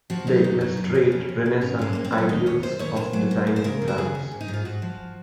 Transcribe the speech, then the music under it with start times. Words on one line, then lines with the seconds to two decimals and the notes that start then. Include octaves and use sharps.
They illustrate Renaissance ideals of design in France.
0.10 F3 F#4
0.27 F#3 D#4
0.44 F#2
0.61 F#3
0.77 F#2
0.84 D#4
0.94 F2 C#4
1.12 F2
1.29 F2
1.46 C3
1.61 G#2 C#4
1.79 G#2 G#3
1.93 G#2 A#3
2.05 C4
2.12 F#3
2.18 C#4
2.29 D#2 D#4
2.46 D#2 C#5
2.63 D#2 C5
2.79 D#2 C#5
2.96 A#2 C5
3.13 F#3
3.31 A#2
3.47 A#2
3.56 C5
3.64 C#3 A#4
3.82 F3
3.88 F#4
3.98 C#3 G#4
4.15 D#2
4.32 G#2
4.41 D#4
4.48 G#2
4.54 F4
4.65 G#2 F#4
4.82 F3